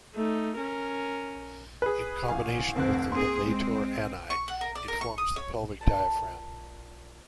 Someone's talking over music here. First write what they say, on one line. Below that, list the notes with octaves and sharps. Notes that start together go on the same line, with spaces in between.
In combination with the levator ani, it forms the pelvic diaphragm.
A3 D#4
C#4 A#4
G#4 B4
A1 F5 G#5
F1 D2 C4 F#6
A#3 C4 G#4 C6
G#3 C4
C#6
F#5
A#4
D5
A#4
C#6
D#6
C#5
A#2 A5